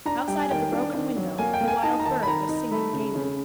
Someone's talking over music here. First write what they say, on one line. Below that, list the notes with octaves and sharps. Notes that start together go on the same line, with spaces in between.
Outside of the broken window a wild bird was singing gayly.
D4 A#5
G3 G5
G#5
D#3 G5
D4
D#3
F#3
A#3 G#5
G5
A#3
G#5
D#4 A5
A#5
D#3 A5
B5
D#3 A#5
D#4
A3 B5
C#3
C#3